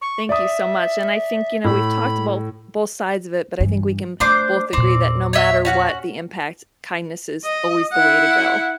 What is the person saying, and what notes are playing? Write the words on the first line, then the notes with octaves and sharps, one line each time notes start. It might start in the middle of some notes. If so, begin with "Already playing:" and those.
Thank you so much, and I think, you know, we've talked abolt both sides of it, but I think we can both agree that no matter what the impact, kindness is always the way to go
C#6
D5 E5 D#6
A2 B5
G2 E3
A3 D4 C5 D6
E2 A#2 C4 D5
C#5 D#5 E5
C#4 F#4 F#5
D#5
E4 F#5